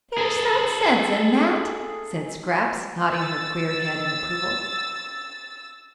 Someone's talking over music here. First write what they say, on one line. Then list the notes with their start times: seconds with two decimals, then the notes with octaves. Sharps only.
"There's some sense in that," said Scraps, nodding her queer head in approval.
0.18 G#4 A4
3.14 E6 A6